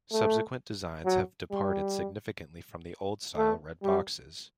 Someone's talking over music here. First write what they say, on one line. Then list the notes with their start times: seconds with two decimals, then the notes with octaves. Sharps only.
Subsequent designs have departed significantly from the old style red boxes.
0.12 A3
1.05 F#3
1.51 G3
3.37 A3
3.83 G3